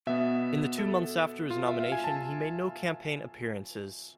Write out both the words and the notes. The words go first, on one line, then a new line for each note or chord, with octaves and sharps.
In the two months after his nomination he made no campaign appearances.
B2 B3 E5
A4
F4
E5
F5
G#5
A5